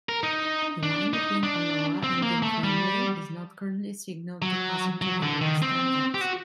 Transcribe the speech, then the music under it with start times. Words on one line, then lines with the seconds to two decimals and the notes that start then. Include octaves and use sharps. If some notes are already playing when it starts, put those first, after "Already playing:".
The line between Alloa and Dunfermline is not currently signalled to passenger carrying standards.
0.09 A#4
0.23 D#4
0.83 D4
1.13 D#4
1.43 D4
2.04 C4
2.23 A#3
2.42 A3
2.64 G3
4.42 F#3
5.02 F#3
5.23 D3
5.41 D#3
5.62 C4
6.14 G4
6.21 F#4